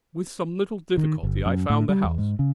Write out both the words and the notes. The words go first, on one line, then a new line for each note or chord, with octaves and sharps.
With some little difficulty I found the house.
D#3
G1
F#2
A2
G3
E2
G#2
C#3